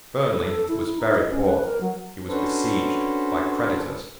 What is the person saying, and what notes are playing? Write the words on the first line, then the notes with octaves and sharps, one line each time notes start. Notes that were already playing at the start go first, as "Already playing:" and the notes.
Fernley was very poor. He was besieged by creditors.
A4
A4
E4
E4
D#4
D#5
C#4
B4
A#4
F#3
C#4 D4 F#4 A4 B4 C5